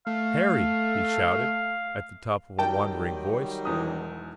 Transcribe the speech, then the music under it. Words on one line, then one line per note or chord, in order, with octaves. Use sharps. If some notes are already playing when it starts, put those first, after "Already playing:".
"Harry!" he shouted, at the top of a wondering voice.
A3 F5
D#3 F#3 G3 G5 A5
E1 E2 D#6